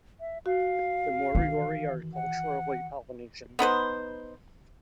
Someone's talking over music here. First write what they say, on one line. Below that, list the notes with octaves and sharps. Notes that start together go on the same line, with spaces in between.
The Moriori are culturally Polynesian.
E5
F#4 F5
D#3 E3
F#5
B3 D#4 B4 C5